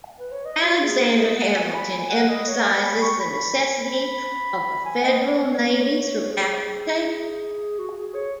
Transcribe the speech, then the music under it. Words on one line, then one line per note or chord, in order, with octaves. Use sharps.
Alexander Hamilton emphasizes the necessity of a federal navy throughout the paper.
B4
C#5
D#5
F#4
G#4
D#5
F#5
G#5
B5
G#5
F#5
D#5
C#5
G#5
B5
C#6
B5
G#5
D#5
C#5
C#5
C#5
G#4
F#4
F#4
G#4
C#5